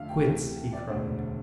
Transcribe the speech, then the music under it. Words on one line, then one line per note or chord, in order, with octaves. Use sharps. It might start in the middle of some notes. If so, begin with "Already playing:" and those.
"Quits!" he cried.
Already playing: F2 D3 F3 A3 E5 F5
G5
D2 C3 E3
D5
E1 D2 D3 A3 C5